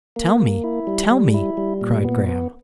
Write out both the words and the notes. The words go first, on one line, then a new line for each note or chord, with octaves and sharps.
"Tell me, tell me!" cried Graham.
A#3
A#3
E4
G3
G3
E4
G3
A#2
B3
B3